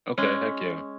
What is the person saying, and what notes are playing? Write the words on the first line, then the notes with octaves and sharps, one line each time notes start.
Okay, heck yeah.
G#3 C#4